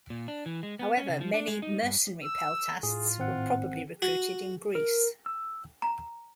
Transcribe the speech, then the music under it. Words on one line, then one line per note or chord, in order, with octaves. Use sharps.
However, many mercenary peltasts were probably recruited in Greece.
A#2
D4
E3
G#3
B3
C#4
C#3
F3
D4
G#3
D#4
G2
E6
A2 F4 G#4
G#1 C4 F#5
F#4
A#4
E6
A#5